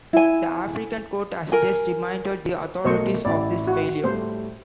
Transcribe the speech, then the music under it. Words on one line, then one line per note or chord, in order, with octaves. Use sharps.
The African Court has just reminded the authorities of this failure.
E4 G#5
A#4 G#5
B1 A3 A#4 C5 D#5 C#6
A1 E4 D5
F#4
A2 G3 A3 C5